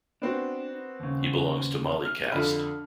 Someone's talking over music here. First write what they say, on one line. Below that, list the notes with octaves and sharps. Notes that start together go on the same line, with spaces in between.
He belongs to Mali caste.
B3 C4 D4 F#4
D#2 C#3
F6
F2 D3 D4 B5